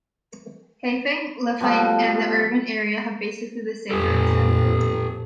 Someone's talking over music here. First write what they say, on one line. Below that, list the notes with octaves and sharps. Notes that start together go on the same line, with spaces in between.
Haifeng, Lufeng and the urban area have basically the same accent.
B2 F3 G3 A3
F2 A#2 G4 A4